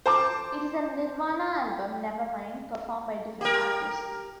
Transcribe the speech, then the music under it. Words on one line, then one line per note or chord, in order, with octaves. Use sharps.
It is the Nirvana album "Nevermind", performed by different artists.
C5 A5 D6
G4 A#4